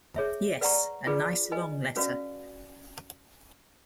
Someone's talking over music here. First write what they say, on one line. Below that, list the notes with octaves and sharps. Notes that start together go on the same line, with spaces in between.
Yes, a nice long letter.
G#4 C#5 E5
B4 D5 F#5 A#5 C#6
D4 F4 G#4 B4 D5
B4 D#5 G#5
C#4 F#4 B4 D5 F5